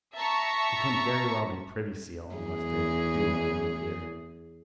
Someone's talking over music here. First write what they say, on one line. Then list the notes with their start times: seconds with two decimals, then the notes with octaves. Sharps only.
He couldn't very well be Privy Seal, unless they do make him a peer.
0.15 E5 A5 A#5 C#6
2.35 E2 G#4